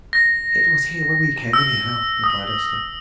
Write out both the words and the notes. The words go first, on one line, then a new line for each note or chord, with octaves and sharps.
"It was here when we came, anyhow," replied Esther.
A#6
E6
D#6